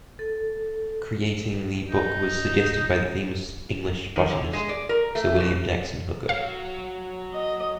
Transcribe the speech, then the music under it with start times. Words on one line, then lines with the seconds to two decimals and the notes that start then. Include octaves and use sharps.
Creating the book was suggested by the famous English botanist Sir William Jackson Hooker.
0.19 A4
1.90 D#4
4.16 D#3
4.30 D3
4.53 G#3
4.69 D5
4.89 A#4
5.15 A3
5.40 B2
6.29 F#3 C#5 F5
7.34 D#5